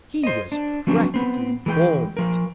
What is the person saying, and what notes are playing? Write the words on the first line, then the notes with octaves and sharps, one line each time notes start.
He was practically bald.
C5 D#5
D4
F3 F#3 B3 C4 D4
B3 C4
E3 G#3 G#4 G5
F3 A#4